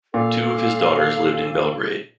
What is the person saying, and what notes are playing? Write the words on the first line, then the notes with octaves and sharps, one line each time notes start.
Two of his daughters lived in Belgrade.
A#2 A4 F5